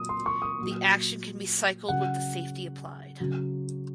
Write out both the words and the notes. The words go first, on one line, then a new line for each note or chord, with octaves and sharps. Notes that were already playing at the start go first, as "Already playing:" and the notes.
The action can be cycled with the safety applied.
Already playing: A#2 F#3 D#6
C6
C#6
D#6
A#2 F#3
C#3 F#3 F#5
C#3 F#3